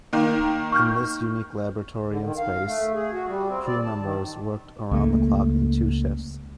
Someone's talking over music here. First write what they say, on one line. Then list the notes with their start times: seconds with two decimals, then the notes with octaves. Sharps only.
In this unique laboratory in space, crew members worked around-the-clock in two shifts.
0.13 D#3 A#3
0.72 C#6 F6 G6
2.09 D3
2.23 D#3
2.38 F5
2.66 A3
2.94 G#4
3.12 F#4
3.28 G3
3.48 C4
3.66 D5
3.84 A5
4.00 D#3
4.91 C#2 A3 A#3